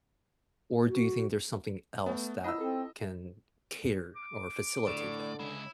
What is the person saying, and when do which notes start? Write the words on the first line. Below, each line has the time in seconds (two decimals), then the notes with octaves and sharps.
Or do you think there's something else that can cater or facilitate that?
0.87 F#4
2.06 A3 B3
2.44 E4 F4 D#5 F#5 E6
2.60 C4 A4
4.16 D6
4.87 A2 D3 D5
5.40 C#3 G#3 E4